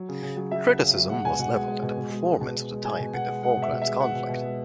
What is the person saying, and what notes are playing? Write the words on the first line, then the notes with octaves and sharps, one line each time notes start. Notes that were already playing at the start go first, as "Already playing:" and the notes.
Criticism was levelled at the performance of the type in the Falklands conflict.
Already playing: F#3
C#3
C#3
F#3
F#3 E5
C#3
C#3
F#3
G#3 F#5
B2 G#5
B2 F#5
G#3 F#5
G#3
B2
B2
G#3
G#3
B2
B2
G#3
G#3 G#5
B2
B2 F#5
G#3
G#3 F#5
B2
E5
B2
E5
G#3
G#3 F#5
B2
B2
G#3